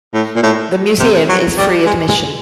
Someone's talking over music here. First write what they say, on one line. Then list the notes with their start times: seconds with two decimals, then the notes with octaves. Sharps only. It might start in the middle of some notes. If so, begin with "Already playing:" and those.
The Museum is free admission.
0.14 A2
0.36 A#2
0.43 A2
1.00 C3
1.29 F#3
1.58 G3
1.86 G#3
2.08 G#3